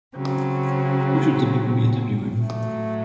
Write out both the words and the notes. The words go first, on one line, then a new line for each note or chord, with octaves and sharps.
Who should the paper be interviewing?
C#3 F#3 C4
A2 F#3 A3